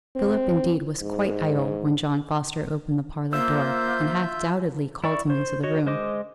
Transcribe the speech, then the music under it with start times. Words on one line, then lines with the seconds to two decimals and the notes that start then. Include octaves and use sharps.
Philip, indeed, was quite idle when John Foster opened the parlour-door, and, half doubtfully, called him into the room.
0.16 C4
1.02 G#2
3.33 A#3 F4 C5 E5 E6 G6
5.04 E4 D5 C#6
5.30 C5
5.63 F#4 C#5 D#5
5.86 G#3 C5 D#5 D6